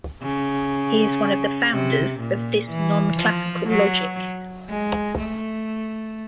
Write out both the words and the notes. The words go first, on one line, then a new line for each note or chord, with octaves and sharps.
He is one of the founders of this non-classical logic.
C#3
C3
A#2
E3
F3
F#3
G#3
A3